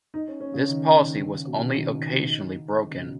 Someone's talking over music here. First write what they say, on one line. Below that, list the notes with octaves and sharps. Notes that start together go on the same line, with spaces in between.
This policy was only occasionally broken.
D#4
C#4
C#4
C#3
D#3
D#3
D#3
C#3
B2
B2
C#3
D#3
D#3
F#4
D#4
D#3
C#3
B2